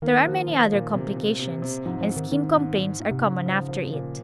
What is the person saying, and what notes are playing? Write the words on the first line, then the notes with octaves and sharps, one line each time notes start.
There are many other complications, and skin complaints are common after it.
D#3 A#3
F3
F3
A#2
C3
C3
C3
C3
G#2 F3
F3
G#2
D#3
G#2 D#3
G#2
G#2
G#2
C3
G#2 C#3
F3
F3
A#2